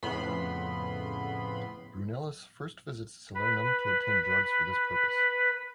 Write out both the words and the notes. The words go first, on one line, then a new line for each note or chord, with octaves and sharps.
Brunellus first visits Salernum to obtain drugs for this purpose.
F2 A2 C#3 B3 B5 C6
B4 B5